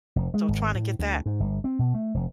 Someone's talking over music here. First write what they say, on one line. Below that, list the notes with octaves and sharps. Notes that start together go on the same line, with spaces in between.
So, trying to get that
F1
G#3
G#1
A2
D2
G#2
G1
C4
B2
A3
F1